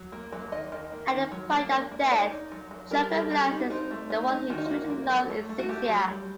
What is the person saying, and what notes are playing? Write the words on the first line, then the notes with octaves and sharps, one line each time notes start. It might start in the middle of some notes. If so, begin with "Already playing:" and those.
At the point of death, Joker realises the one he truly loves is Zixia.
Already playing: F#3
A#3
F#3
D#3 D#5
D#3
A#3
D#3
F#3
A#3
D4
A#3
D#5
D#4 D5
D#4
F#3
F#3
G3 A#4
A#4
G3
A4
G3 G4
D#4
F#4
C4 D#4
A3
D#4
D#4
D#3 F#4
D#4
A#3 F#4
A#3
F#3
A3
A3
F#4
A3 G4
F#3
G3